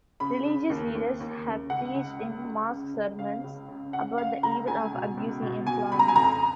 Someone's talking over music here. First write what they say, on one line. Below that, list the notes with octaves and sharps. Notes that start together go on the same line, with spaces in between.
Religious leaders have preached in mosques sermons about the evil of abusing employees.
C#3 B5
C#3
D#2
D#2
D#2
C#3
C#2 F#5
C#2
C#2
C#2
C#3
C#2
C#3 F5
C#2
C#3
C#3 F#5
C#3 F5
C#2 A#5
C#2 G#5
B2
C#2
B2
B2 G#5
C#2 B5
A#5
G#5
F2 A#5